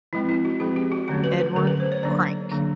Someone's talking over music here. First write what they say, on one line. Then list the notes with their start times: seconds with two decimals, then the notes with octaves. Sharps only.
Edward Cranke.
0.13 F3 G#3 C4 E4
0.29 E4
0.45 F#4
0.60 F3 G#3 C4 G#4
0.76 G4
0.92 F#4
1.08 D3 F#3 A3 C#4 F#4
1.24 B4
1.39 B4
1.55 D3 F#3 A3 C#4 A#4
1.67 B4
1.80 C5
1.92 C#5
2.03 D3 F#3 A#3 D4 D5
2.51 D3 F#3 A#3 D4